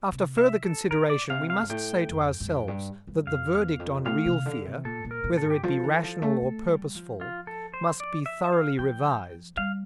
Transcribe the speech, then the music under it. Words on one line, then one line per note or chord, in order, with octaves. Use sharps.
After further consideration, we must say to ourselves that the verdict on real fear, whether it be rational or purposeful, must be thoroughly revised.
C3
E5
A4
A#2 A#4
D5
C3 F5
F5
G2
A2 G5
F2
G2
F2
G2
G2
F2 F5
E2
F2
A2 F5
C3
D3
C3
A#2 A4
A#2
A#4
A#2
A4
G2
G4
F3 A4
E3
F3
A3
A3
G3
F3
F4
A4
C5
D5
E5
E5
F5
F3 G5
G3 F5